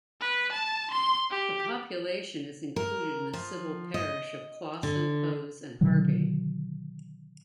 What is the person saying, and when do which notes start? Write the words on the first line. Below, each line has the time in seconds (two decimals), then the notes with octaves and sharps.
The population is included in the civil parish of Clawson, Hose and Harby.
0.21 B4
0.52 A5
0.91 C6
1.31 G4
2.76 A#4
3.33 F3
3.94 D#5
4.83 D3
5.81 B2 D3 D#3 F#3